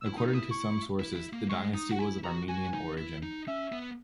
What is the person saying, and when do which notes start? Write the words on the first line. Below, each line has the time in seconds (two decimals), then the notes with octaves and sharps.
According to some sources the dynasty was of Armenian origin.
0.01 E6
0.06 E4
0.17 D#4 D#6
0.28 D#4
0.34 E4 D#6
0.51 C#6
1.00 E4
1.16 E4
1.33 A#3
1.49 G#3 C#6
1.74 D#4 D#6
1.89 F#4 F#5
1.99 E4 G#5
2.24 F#4 A#5
2.48 F#4 G#5
2.73 D#4
2.98 E4
3.23 D#4
3.47 C#4 E5
3.72 B3